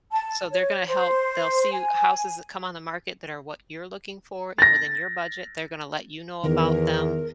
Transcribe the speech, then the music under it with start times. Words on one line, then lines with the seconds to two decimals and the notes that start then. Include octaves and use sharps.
so, they're gonna help they'll see you houses that come on the market that are what you're looking for and within your budget, they're gonna let you know about them,
0.12 A5
0.52 C#5
0.88 C5
1.72 G#5
4.58 A6 A#6
6.44 E2 D#3 A#4